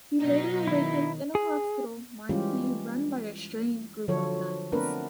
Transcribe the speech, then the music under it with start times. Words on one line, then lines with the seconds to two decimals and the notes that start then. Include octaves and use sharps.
He later awakens in a hospital marquee run by a strange group of nuns.
0.20 B2 F#3 D#4
0.68 D#3 E4
1.35 G#4
2.29 E3 G3 G#3 C#4 F4 G4
4.08 D3 F3 F#3 F4 A4 C#5
4.72 A3 B3 C4 D4 A#4 B4